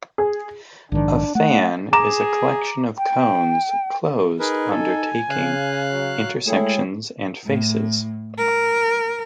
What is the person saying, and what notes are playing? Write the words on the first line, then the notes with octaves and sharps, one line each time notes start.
A fan is a collection of cones closed under taking intersections and faces.
G#4
A#1 G#2 D#3 D4
A3 F#5
G#4 A#5 D6 E7
G5
D#4 G#4 A#4 B4
A4 G#5
C#3 F5 F#6
F#3
G#3 A3 E4 G#4 C#5 G5
A2
A#4